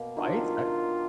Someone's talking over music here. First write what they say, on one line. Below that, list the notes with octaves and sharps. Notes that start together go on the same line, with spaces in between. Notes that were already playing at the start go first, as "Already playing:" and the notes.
Fights? I
Already playing: B2 A#3
D#3 F#3 D4 F4